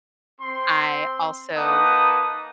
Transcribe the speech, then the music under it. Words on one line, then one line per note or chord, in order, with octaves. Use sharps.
I also
C4 C6
A#3 D#4 B4 F#5 A5 D#6